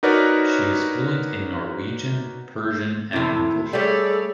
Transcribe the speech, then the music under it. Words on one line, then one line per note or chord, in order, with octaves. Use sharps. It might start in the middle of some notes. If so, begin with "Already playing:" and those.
She is fluent in Norwegian, Persian and English.
D#4 F#4 A#4 B4 C#5 D5
A2 C3 A3 E4
G3 A3 G#4 A4 C#5 D5